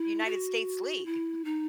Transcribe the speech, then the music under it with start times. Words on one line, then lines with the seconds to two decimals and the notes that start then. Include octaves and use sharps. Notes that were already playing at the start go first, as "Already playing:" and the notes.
United States league,
Already playing: E4
0.25 F#4
1.06 E4
1.45 D#4